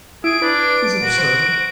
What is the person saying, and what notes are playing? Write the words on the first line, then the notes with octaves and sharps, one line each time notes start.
'Tis absurd!
E4 G#4 D7
D4 B4
A#2 F#4
C5